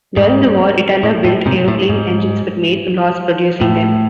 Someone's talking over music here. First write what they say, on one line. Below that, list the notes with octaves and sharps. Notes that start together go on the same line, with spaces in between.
During the war Itala built aeroplane engines but made a loss producing them.
G#2
A2
A2
G#2 C3
A2
G#2
A2